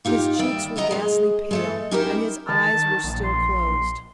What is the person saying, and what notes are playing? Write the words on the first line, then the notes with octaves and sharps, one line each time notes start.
His cheeks were ghastly pale, and his eyes were still closed.
A#3 D#4 F4 G4
D#3 G3 D5 E5 G5
F#2 B3 E4 D#5 A#5
G#3 G#4
G#3 A3 A4
C#4 D#4 E4 G4 A#4 C5
D#3 A5
A#1
C6